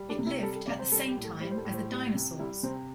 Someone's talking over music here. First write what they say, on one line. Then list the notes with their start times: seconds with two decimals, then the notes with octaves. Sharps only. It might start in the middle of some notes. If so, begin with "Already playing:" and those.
It lived at the same time as the dinosaurs.
Already playing: G3
0.09 D4
0.19 C3
0.26 E4
0.43 G3 A4
0.55 A4
0.67 C3 D5
0.79 C5
0.92 G3 A4
1.08 G4
1.17 A2
1.24 A4
1.40 G3 C5
1.51 C5
1.57 A4
1.65 A2
1.74 C5
1.90 G3
2.14 C3
2.39 G3 E4
2.63 C3 C4